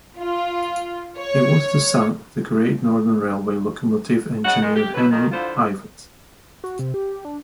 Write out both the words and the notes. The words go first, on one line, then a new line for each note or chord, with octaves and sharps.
He was the son of the Great Northern Railway locomotive engineer Henry Ivatt.
F4
C#5
C#3 D#4 F#5
D#3 G#3
G4
D2 F#3 E4 B4
F2 D#3
D3 F3 E4 F4 C5
F#4
C3
G4
D4